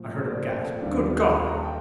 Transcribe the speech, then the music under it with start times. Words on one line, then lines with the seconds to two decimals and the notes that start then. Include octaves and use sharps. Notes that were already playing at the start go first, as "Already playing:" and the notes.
I heard him gasp, "Good God!"
Already playing: A#2 F3 A3
0.13 A#4
0.18 C5
0.28 D5
0.39 C5
0.50 A#4
0.61 A4
0.71 F4
0.82 D#2 D#3 G3 A#3 D4 G4
0.90 F4
0.98 G4
1.06 F4
1.15 G4
1.31 F5
1.47 A#5
1.55 A5
1.64 G5